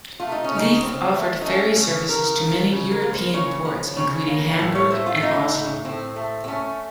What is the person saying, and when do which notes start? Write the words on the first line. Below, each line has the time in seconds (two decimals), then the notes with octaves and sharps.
Leith offered ferry services to many European ports, including Hamburg and Oslo.
0.20 A3 F4
0.32 D#4
0.44 C#4
0.51 C#3
0.56 D#4
0.82 C#3 C4
1.14 A3
1.41 D#4
1.45 A3 C#4
1.76 C#3
2.08 C#3 A#4
2.40 F3
2.72 C#3
2.92 A#4
3.02 A#3
3.13 C5
3.34 C#3 C#5
3.65 F3
3.97 C#3 C#5
4.28 A#3
4.59 A2
4.75 C#5
4.91 A3 C5
5.06 F4
5.22 A3 D#4
5.54 A2
5.85 A2 C4
6.16 A3
6.44 C4
6.47 A3 C#4